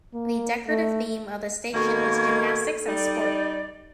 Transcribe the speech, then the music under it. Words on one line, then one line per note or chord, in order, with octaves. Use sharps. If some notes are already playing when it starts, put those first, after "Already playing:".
The decorative theme of the station is "gymnastics and sport".
A#3
A3
B2 D#3 A#3 A4 C#6 G#6
G3 D#4 D5